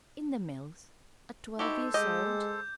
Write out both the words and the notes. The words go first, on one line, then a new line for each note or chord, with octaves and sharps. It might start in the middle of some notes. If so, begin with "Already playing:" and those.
"In the mills--at twelve years old!"
D#4 E4 F#4 G4 A4 C5 D6
G#3 G4 D#5 G6